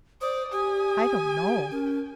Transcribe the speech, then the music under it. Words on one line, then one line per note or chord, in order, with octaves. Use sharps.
"I don't know."
C5 D5 D#6
G4 G#5
C#4 A#4